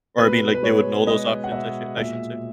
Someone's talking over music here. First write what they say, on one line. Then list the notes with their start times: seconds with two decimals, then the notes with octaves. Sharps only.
or I mean, like, they would know those options I should I should say.
0.18 B2 B4
0.54 B4
0.63 G#3 C#5
1.07 G#3 D#5
1.44 F#5
1.52 B2 E5
1.97 A#2 E5